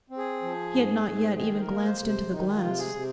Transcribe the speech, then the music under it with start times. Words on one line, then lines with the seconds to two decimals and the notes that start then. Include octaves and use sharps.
He had not yet even glanced into the glass.
0.10 C4
0.18 G#4
0.42 F3
0.73 G#2
1.05 G#2
1.36 D#3 G#4
1.55 C5
1.60 A#4
1.68 A#3
1.84 C5
1.99 C3
2.08 C5
2.31 D#3 D#4
2.49 D#4
2.55 F4
2.62 C3
2.79 G#4
2.94 C3